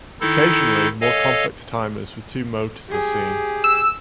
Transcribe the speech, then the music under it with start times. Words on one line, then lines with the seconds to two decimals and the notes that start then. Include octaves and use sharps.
Occasionally more complex timers with two motors are seen.
0.21 D#3 D#4 E4 A4
1.01 A4 C#5 D#5 F5 G#5
2.89 G4 G#4
3.64 E6